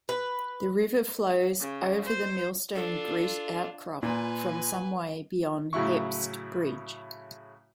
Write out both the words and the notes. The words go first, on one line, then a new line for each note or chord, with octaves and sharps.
The river flows over the Millstone Grit outcrop from some way beyond Hepste Bridge.
B4
C#3
C5
D4 F4 A4
A#2 F4 B4 G#5
A2 C#3 F#3 E4 C#6